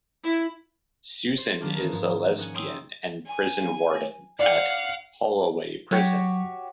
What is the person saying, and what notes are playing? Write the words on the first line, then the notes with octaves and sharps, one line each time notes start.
Susan is a lesbian and prison warden at Holloway Prison.
E4
C5
D#3 F#3 G3 A#3 C#4 D4
E3 G#3 A#3
G#2 F3
C#4 D#4 F#5 G#5
C#5 G5 C6 D#6 E6
G#5
D5 F5 F#5
F#3 F#4 G4 C#5